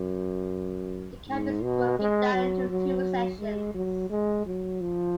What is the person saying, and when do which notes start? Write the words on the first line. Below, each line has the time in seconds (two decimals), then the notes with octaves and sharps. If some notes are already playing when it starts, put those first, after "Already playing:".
The camp is broken down into two sessions.
Already playing: F#2
1.29 G#2
1.63 B2
1.99 G#3
2.34 F#3
2.69 F#3
3.39 G#3
3.74 F#3
4.10 G#3
4.46 F#3
4.81 F3